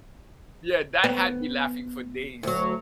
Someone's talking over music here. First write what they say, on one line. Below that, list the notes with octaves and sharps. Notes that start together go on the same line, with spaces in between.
yeah, that had me laughing for days.
B3
D2 F#3